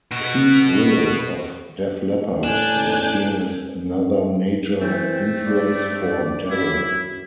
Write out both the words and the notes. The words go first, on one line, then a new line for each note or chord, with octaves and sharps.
Pete Willis of Def Leppard was seen as another major influence for Darrell.
B2 F#4
A2 D4 G#5 F#6 G6
E3 A3 C4
G2 D5
F#2 E4